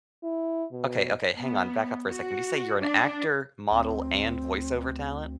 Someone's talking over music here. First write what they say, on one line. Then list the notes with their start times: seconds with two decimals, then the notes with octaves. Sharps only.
Okay, okay, hang on. Back up for a second. Did you say you're an actor, model, and voice over talent?
0.23 E4
0.72 B2
1.37 B3
2.09 F#4
2.79 D4
3.71 D2 C4